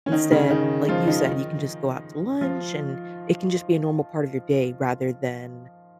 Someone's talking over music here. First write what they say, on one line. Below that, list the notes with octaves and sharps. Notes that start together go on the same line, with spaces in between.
Instead, like you said, you can just go out to lunch, and, it can just be a normal part of your day rather than
C#4
D#3 D#4
C#3 C#4
D#3 D#4
F3 F4
D#3 D#4
F3 F4